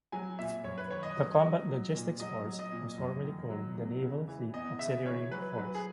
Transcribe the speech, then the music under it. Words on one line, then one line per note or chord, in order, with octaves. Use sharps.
The Combat Logistics Force was formerly called the Naval Fleet Auxiliary Force.
F#3 G#5
A#2 E5
F#2 C#5
B4
D#3 C#5
D#5
F#3
F#3
F#3
A#2
F#3 D#5
F#3
D#5
A#2
F#2
D#3
F#3
E2
C#3
E3
E2 D#5
C#3 E5
E3 C#5
F#3 B4
F#3 B4
G#4